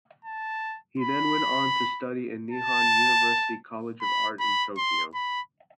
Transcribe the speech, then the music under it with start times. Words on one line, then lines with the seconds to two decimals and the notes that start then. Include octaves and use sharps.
He then went on to study in Nihon University College of Art in Tokyo.
0.25 A5
1.00 B5
2.51 A5
4.01 B5
4.40 B5
4.77 C6
5.15 B5